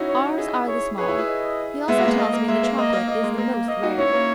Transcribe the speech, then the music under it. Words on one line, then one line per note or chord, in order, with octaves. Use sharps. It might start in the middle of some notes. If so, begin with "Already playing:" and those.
Ours are the small; he also tells me the chocolate is the most rare.
Already playing: C#4 D#4 E4 F#4
C#5
E4 G#4 D#5
C#5
G#4 B4 C#5
E4 G#4
E4 G#4
D#5
G#3 B3 E5
A#3
G#3
A#3 D#5
A#3
G#3 E5
A#3
A#3 D#5
A#3
A#3 D#5
G#3
A#3
A#3
A#3 D#5
D#4 F#4
C#4 E4 C#5
A#3 C#4